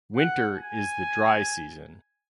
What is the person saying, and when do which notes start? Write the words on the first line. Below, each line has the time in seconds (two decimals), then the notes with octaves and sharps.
Winter is the dry season.
0.16 F#5
0.56 G#5